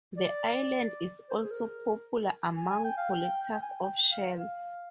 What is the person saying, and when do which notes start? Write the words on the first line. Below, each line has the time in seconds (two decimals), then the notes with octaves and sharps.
The island is also popular among collectors of shells.
0.17 D5
1.30 C5
1.37 A#4
1.44 G#4
1.51 A#4
2.57 G#5
2.70 G#5
2.84 G5
2.97 F5
3.10 G5
3.54 G5
3.62 G#5
3.70 G5
3.84 G5
4.11 F5
4.39 F5